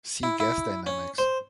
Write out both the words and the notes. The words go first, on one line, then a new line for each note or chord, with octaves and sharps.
See gas dynamics.
E4
E4
C#4
C5